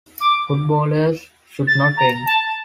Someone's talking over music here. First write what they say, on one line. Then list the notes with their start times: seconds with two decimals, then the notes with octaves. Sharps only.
Footballers should not drink.
0.21 D6
1.67 A6
1.97 A#5
2.26 A5